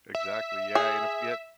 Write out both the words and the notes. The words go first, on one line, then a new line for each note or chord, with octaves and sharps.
Exactly, yeah, and if we had
E5
G#4